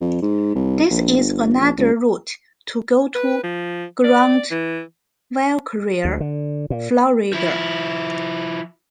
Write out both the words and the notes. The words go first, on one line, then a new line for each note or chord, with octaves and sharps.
This is another route to go to Grant-Valkaria, Florida.
F2
G#2
C2
A#1
G1
A#1
C#2
B4
F3
D5
E3
D2
D3
A#2
F3 E4